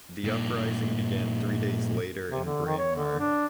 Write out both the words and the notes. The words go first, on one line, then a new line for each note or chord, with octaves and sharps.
The uprising began three days later in Braemar.
G2 A#2
C3
D3
D#3
C#5
D3
D4